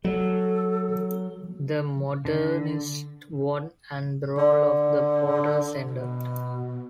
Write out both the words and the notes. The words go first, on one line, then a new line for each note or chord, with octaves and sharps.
The modernists won and the role of the porters ended.
F#3 A4
D3
D3
B2